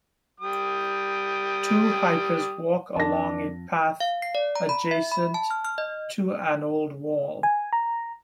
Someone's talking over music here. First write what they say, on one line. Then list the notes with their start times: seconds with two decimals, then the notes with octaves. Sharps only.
Two hikers walk along a path adjacent to an old wall.
0.40 G3 G5 D#6
2.96 F2 D4 A5 A#6
4.00 F5
4.22 C7
4.35 D5
4.56 A#5
4.69 B5
4.91 E5
5.12 B5
5.34 A5
5.51 F6
5.65 F6
5.78 D#5
7.43 G#5
7.73 A#5